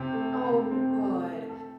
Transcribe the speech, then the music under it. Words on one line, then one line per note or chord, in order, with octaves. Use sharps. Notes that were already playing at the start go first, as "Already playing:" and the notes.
Oh, good,
Already playing: C3 C4
A3
A4
C3
C4
A3
A3
A3
A4